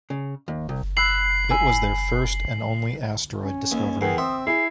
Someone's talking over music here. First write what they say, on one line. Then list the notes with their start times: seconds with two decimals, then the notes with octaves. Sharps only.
It was their first and only asteroid discovery.
0.10 C#3
0.48 D#2
0.69 C2
0.97 B5 E6 F#6 C7 F#7
1.51 G#5 B5 E6
3.42 C#4
3.72 D#2
4.01 E2 G#4 A#4 F#5 G5 C7
4.18 C4 E5 C6 D#6
4.47 E4 G#4 C7